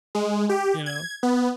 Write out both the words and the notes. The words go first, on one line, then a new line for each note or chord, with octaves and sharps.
You know?
G#3
G4
G#6
B3